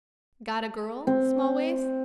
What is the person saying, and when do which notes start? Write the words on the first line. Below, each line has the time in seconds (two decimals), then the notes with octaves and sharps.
"Got a girl, Smallways?"
1.07 C4